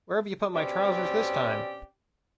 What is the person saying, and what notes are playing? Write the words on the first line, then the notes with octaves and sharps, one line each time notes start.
Where've you put my trousers this time?
B2 C4 C#4 G4 D5